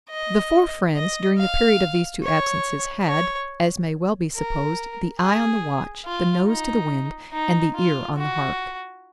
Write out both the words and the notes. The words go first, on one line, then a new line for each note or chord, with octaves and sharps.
The four friends, during the period of these two absences, had, as may well be supposed, the eye on the watch, the nose to the wind, and the ear on the hark.
D#5
D#5
F5
C#5
C#5
A#4
G#4
F4
D#4
D#4
F4
F#4